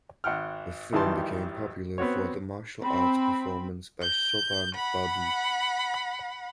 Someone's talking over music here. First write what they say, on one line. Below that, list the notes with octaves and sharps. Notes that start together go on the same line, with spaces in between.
The film became popular for the martial arts performance by Sobhan Babu.
G#1 F#5 G5 F6
G#1 D#3 E3 G3 A5 C6
B3 C4 F#4 C#5
C4 B5
G6
F#5 B5